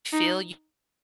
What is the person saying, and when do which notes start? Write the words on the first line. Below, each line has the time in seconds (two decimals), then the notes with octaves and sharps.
feel you
0.12 D#4